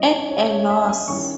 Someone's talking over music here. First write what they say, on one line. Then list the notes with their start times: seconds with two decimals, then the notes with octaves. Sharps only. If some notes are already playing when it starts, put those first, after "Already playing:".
At a loss.
Already playing: G3 C#4 E4 D#5
0.11 C#5
0.31 C#5
0.51 C#5
0.70 E5
0.89 G#5
1.08 D#3 G3 C#4 E4 C#6